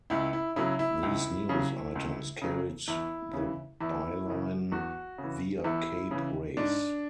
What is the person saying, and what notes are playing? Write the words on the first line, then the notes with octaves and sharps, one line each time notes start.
These news items carried the byline "via Cape Race".
C#2 E4
E4
C#3 F#3 E4
E4
C#2
C#3 F#3
C#2
C#3 F#3
E2 E4
C#3 E3
E2 E4
C#3 E3
E2 F#4
C#3
E3
E2 E4
C#3 E3
G#2 D4